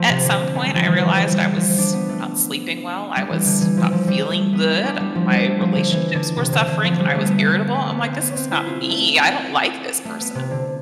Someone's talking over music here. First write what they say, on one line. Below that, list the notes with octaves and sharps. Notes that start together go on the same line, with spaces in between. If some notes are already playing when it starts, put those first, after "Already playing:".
at some point I realized I was not sleeping well, I was not feeling good, My relationships were suffering. I was irritable. I'm like, "This is not me, I don't like this person."
Already playing: F3 A3
C3
D3
A3
G3
F3
E3
F3
G3
G3
F3
D4
B3
A3
G3
E3
D3
E3
F3
F3
G3
A3
B3
E4
D4
G3
F3
G3
A3
F3
D3
E3
D3
C3
D3
D3
F3
G3
A3
B3
A3
A3
B3
C4
B3
C4
E4
F4
A3
A3
B3
C3
D3